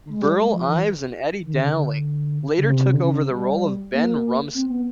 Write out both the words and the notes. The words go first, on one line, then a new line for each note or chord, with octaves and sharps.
Burl Ives and Eddie Dowling later took over the role of Ben Rumson.
G#3
G3
G#3
F3
E3
D#3
D3
C#3
D3
C#3
C3
D3
C#3
G3
A#3
C4
B3